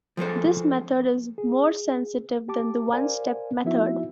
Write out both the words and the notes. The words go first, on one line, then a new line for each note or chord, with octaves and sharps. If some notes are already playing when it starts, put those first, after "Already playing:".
This method is more sensitive than the one-step method.
F3 G#3 A4 C5
G#4
G4 A5 D6
A#4 C5 D5 F5 G#5
F3 B3 D#4 E4 F#4 E5